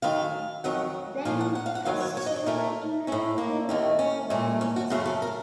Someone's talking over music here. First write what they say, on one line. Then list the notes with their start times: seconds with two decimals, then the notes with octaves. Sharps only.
Dang has two "Inner Terai Valleys".
0.02 F#2 D#3 A3 F5
0.64 F2 D#3 F#3 F#5
1.25 A#2 F3 A3 F5
1.41 F#5
1.55 F#5
1.66 F5
1.75 F#5
1.85 F#2 D#3 F#3 F5
2.00 C#5
2.17 C#5
2.26 D#5
2.36 C#5
2.46 A#2 A3 A#4
3.07 A2 A3 C#4
3.38 A#3
3.69 D#2 D#3 A3
3.99 C#4
4.30 A#2 A3
4.61 C#4
4.76 F#4
4.90 F#2 C#3 A3
5.06 A4
5.22 A#4